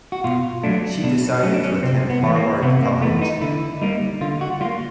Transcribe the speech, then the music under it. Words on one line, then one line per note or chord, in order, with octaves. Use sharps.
She decided to attend Harvard college.
F#4
B2 F4
F#3 A3 D4
B2 D4
F#3 A3 C#4
D4
C#4
C3 C4
B3
E3 A3
A#3
C3 B3
A#3
E3 A3 B3
D#4
D3 E4
G3 A#3 D#4
D3 F4
F#4
G3 F4
A#3